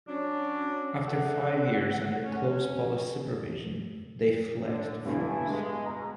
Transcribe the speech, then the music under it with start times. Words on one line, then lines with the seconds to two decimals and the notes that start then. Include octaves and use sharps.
After five years under close police supervision, they fled to France.
0.08 F#3 C#4 D4
1.05 D3 A3 F#5
2.24 C#4
4.64 D3
5.05 G2 B2 D3 A3 E4 G#5
5.50 G#3
5.86 B2 A#5